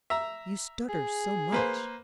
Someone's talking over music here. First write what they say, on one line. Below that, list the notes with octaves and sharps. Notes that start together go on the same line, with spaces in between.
You stutter so much.
E5 A#5
G#4
A#3 B4 C5